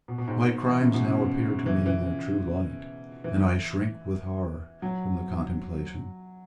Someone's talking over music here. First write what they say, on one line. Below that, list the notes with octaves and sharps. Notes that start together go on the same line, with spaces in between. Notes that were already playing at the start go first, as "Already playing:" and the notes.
My crimes now appear to me in their true light; and I shrink with horror from the contemplation.
B2
B2
G#2
E3
C#3
B2
C#3
E3
C#3
E3
E3
F#3